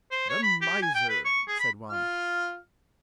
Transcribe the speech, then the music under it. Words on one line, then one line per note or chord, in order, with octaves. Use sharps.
"The miser!" said one.
C5
C#5
B5
G4
G#5
G5
B4
C#6
G#4
B5
F4 F6